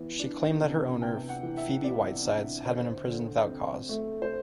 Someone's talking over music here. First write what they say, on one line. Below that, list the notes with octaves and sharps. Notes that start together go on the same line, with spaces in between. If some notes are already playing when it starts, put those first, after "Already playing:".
She claimed that her owner Phoebe Whitesides had been imprisoned without cause.
Already playing: E3 B3
D4
C3
B3 G5
F#5
E3
E5
B3 D5
D4
D2 C5
D3
C4
A3
C5